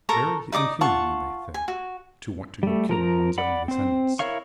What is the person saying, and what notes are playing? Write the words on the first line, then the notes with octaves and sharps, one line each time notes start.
Very inhuman, you may think, to want to go killing one's own descendants!
A4 A#4 A#5 C#6
D#4 D5 D6 D#6
F4 F#5 A5 C#6
G#5
F#4
G3 A3
F3 A#4 A#5
D5 F#5 B5
C4 C5
E4 A#4 C#5 F5 C#6